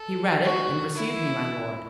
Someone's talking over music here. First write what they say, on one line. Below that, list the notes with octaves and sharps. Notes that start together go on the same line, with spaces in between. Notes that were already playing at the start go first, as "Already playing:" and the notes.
"He read it, and received me, my lord."
Already playing: A4
F#4
E4